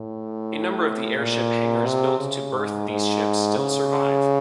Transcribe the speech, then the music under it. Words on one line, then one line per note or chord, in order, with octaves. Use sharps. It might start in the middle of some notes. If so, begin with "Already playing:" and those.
A number of the airship hangars built to berth these ships still survive.
Already playing: A2
A#2
C3
C#3
G#2
G#2
C#3